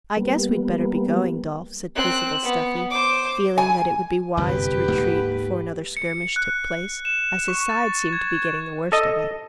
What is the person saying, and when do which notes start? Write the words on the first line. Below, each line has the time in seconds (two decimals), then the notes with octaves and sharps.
'I guess we'd better be going, Dolf,' said peaceable Stuffy, feeling that it would be wise to retreat before another skirmish took place, as his side seemed to be getting the worst of it.
0.17 G3 A#3 B3
1.95 C4 F#6
2.43 B3
2.90 C5 D6
3.58 G#5
4.37 G1 C2 F#2 G4 B4
4.88 D2 G#2 A#3
5.97 C#7
6.36 F#6
7.05 E7
7.48 C#6
7.69 A6
8.13 G#6
8.92 A4 D#5